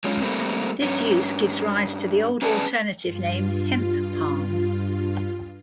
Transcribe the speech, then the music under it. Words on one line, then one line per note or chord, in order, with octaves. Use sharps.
This use gives rise to the old alternative name "hemp-palm".
F#3 G#3 C#4 E4 F4
G3 A3 A#3 C4
G2 C#4
C#4 G#4 B4 D5 G#5 A5
G2 F4